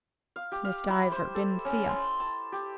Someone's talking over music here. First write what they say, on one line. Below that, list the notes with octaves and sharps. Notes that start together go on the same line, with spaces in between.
This diver didn't see us.
F5
G4
F5
E4
C5
A4
C#4
C6
A5
G4